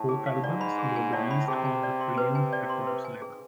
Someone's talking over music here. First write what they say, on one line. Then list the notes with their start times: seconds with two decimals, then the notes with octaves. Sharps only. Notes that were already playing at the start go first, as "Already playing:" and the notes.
Both albums were released on the Prelude Records label.
Already playing: A2 A5
0.09 G#4
0.26 F5
0.44 G#2 D5
0.61 B5
0.78 G#4
0.96 G#5
1.13 A2 D5
1.31 B5
1.47 C3 G#4
1.65 G#5
1.83 D5
2.01 C6
2.18 B4
2.35 G#5
2.53 D5
2.70 C6
2.87 B4
3.05 G#5
3.22 G#4